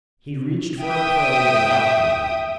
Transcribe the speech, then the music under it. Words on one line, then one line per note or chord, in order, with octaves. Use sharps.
He'd reached for a probe without thinking.
E5 G5 D#6